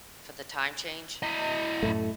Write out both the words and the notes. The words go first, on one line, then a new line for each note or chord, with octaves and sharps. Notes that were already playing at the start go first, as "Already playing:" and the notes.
for the time change
E4 D#5
F#2 A2 A3